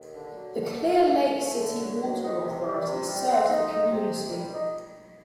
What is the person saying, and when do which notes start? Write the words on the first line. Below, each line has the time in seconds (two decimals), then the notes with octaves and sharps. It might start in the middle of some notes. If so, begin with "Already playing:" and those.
The Clear Lake City Water Authority serves the community.
Already playing: D#2
0.14 D3
0.35 F#3
0.57 D3
0.77 A3
0.98 D3
1.19 D#2
1.40 A3
1.60 D3
1.81 F#3
2.03 F#3
2.24 D#4
2.44 C3
2.65 G3
2.87 C3
3.07 G3
3.28 C4
3.49 D#4
3.70 D#4
3.91 C3
4.12 C3
4.33 G3
4.54 D#4